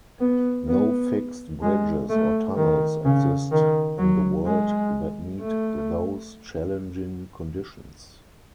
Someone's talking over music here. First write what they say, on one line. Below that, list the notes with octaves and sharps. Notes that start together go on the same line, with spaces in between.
No fixed bridges or tunnels exist in the world that meet those challenging conditions.
B3
B3
G#3
A3
D#3
C#3
D#3
F#3
G#3
A3